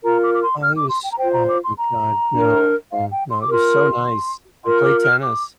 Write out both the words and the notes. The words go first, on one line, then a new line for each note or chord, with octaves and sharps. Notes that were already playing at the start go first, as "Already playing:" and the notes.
Oh, it was Oh my god, no, no, it was so nice. I played tennis,
F4 A#4 A#5
D6
D6
C6
F6
D6
C6
G5
A#5
F4 C5 G5
A#5
D6
C6
A#5
D4 A#4
F5
G5
C6
D6
F4 A#4 C6
F4 A#4 C6
D6
F6
D6